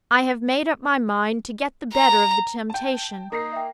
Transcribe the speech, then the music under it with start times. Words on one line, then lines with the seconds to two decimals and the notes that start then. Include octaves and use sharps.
I have made up my mind to get the better of the temptation.
1.94 A#5
2.70 G5 A5
3.32 A#3 D#4 A#6 C7
3.53 E5 G5